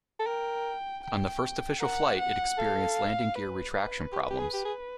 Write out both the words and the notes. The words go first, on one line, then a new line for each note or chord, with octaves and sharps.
On the first official flight, it experienced landing gear retraction problems.
A4
A#4 G5
G5
A#4 F#5
F#5
A4 F5
B4
B4
G4
G4
G#4
G4
G#4